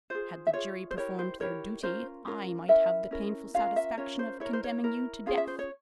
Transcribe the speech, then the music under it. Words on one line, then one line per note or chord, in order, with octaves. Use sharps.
Had the jury performed their duty, I might have the painful satisfaction of condemning you to death.
F4 G#4 C5
E5
F4 G#4 C#5
C5
E4 G4 A#4 C#5
C5
E4 G4 A#4 C#5
C#4 F4 A#4 C5
C#4 F4 A#4
C#4 E4 A#4 E5
C#4 E4 A#4
C#4 F4 A#4 F5
E5
C#4 F4 A#4 C#5
C5
E4 A#4 C#5
C5
C#5
E4 A#4
C#4 F4 G#4 F5
E5
C5
C#5